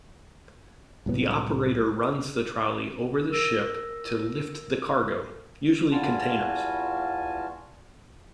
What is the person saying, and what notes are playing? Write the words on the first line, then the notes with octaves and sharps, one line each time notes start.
The operator runs the trolley over the ship to lift the cargo, usually containers.
C2 A2 F#3 B3
A#4 E6 A#6
E2 G3 F4 F#4 G#5 A5